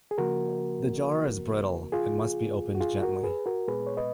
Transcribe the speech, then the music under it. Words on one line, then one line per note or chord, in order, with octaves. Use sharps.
The jar is brittle it must be opened gently.
G#4
C#3 F3 A#3 F#4 A#4
F4 G#4
F#4
F4 G#4
F#4 A#4
G#4 B4
F#4 A#4
A#2 G#3 B3 G#4 B4
C#5
B4 D#5